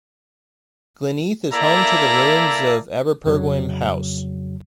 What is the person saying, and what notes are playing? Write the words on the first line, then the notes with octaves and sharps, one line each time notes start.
Glynneath is home to the ruins of Aberpergwm House.
A#3 E4 A4 D5 E5 A#5
F2 C#3 F#3